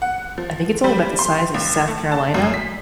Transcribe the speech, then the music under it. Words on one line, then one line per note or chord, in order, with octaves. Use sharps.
I think it's only about the size of South Carolina,
F#5
F3
G3
C6
C#2
A3
A5
F#2
B6